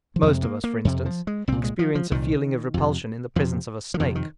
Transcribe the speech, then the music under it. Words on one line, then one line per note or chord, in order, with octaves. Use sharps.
Most of us, for instance, experience a feeling of repulsion in the presence of a snake.
F3
F2 C3 G#3
A#3
A#3
F2 C3
F3
G#3
C2 A#2 C4
G#3
F3
F3
C2 A#2 D#3
F2 C3
F2 C3 F3
F3
F2 C3 D#3
D#3